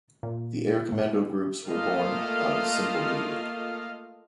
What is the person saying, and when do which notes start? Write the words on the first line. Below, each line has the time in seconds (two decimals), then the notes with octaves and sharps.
The Air Commando Groups were born out of a simple need.
0.23 A#2
0.92 A2
1.66 A3 A#3 F4 A4 D#5 F5